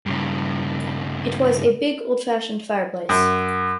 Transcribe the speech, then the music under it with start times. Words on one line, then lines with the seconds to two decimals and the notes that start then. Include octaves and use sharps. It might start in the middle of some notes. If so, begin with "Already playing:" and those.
It was a big old-fashioned fireplace.
0.06 G2 C#3
3.09 F#2